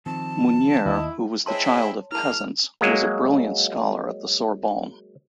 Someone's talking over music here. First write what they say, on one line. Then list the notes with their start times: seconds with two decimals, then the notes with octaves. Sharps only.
Mounier, who was the child of peasants, was a brilliant scholar at the Sorbonne.
0.06 D#3 F3 C4 A5
0.86 D#2 E4 D#5
1.46 G#3 C4 E4 C#5 A5 C6
2.12 G#3 A#3 E4 A5 F6
2.81 F#3 G#3 A#3